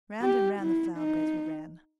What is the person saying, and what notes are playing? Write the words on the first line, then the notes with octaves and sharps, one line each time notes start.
Round and round the flower-beds we ran.
G4
E4
D#4